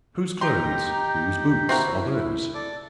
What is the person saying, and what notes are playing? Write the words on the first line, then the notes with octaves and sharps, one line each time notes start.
Whose clothes, whose boots, are those?
D#4 G4 G5 A#5 C6
C4 E4 F#4 A#4
A4 D5 D6